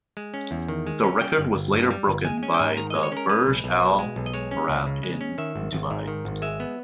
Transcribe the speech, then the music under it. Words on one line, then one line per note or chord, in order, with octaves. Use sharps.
The record was later broken by the Burj Al Arab in Dubai.
G#3
C#4
E2
D#3
G#3
C#4
G3 G5
G1
G1
G2
G3
G1
G#3 G#5
C#4 G#5
G5
G#2 G#5
D#3 A#5
D#5
G#3
C#5
C#4 A#4
G#3 B4
B1
B1
B2
G#3
B1
D#5
G#3 C#5
C#4
C#2
C#3
G#3
C#4
D#3 E5
G#1
G#1
G#2
D#3
G#1
G#3 E5
B3